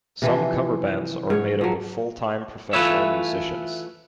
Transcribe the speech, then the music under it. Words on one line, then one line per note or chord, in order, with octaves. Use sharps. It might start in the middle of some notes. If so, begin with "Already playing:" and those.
Some cover bands are made up of full-time professional musicians.
C3 E3 F3
G#2 C#5
F3 F#3
E3 A3 F4 B4 C#5 E5